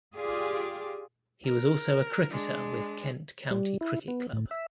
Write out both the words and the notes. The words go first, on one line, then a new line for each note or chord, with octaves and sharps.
He was also a cricketer with Kent County Cricket Club.
F4 G4 G#4 D5
A#4
G#3 D4
G3
E4
B3
A2
E5